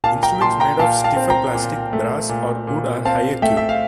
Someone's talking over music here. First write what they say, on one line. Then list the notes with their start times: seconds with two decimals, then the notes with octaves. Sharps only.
Instruments made of stiffer plastic, brass, or wood are higher-Q.
0.04 A#2 F5 A5
0.23 G5 A#5
0.41 A#2 A5 C6
0.60 G5 A#5
0.79 A#2 F5 A5
1.04 F5 A5
1.16 C4
1.30 G5 A#5
1.54 A#2
1.93 A3
2.29 A#2
2.67 A#2
3.05 C4 F5 A5
3.42 A3 E5 G5
3.57 E5
3.69 F5